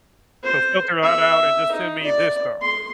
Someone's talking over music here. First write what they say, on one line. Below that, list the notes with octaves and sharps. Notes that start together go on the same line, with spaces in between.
so filter that out and just send me this stuff.”
C5
E5
D#4
D5
C6